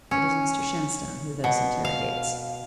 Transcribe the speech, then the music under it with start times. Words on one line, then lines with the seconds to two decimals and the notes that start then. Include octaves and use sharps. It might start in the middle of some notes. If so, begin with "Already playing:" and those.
It is Mr Shenstone who thus interrogates.
0.11 C#4
1.44 B2
1.85 F5